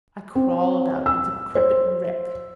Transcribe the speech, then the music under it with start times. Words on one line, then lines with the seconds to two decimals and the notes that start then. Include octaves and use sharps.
I crawled out a decrepit wreck.
0.35 C4
1.06 E6
1.55 C5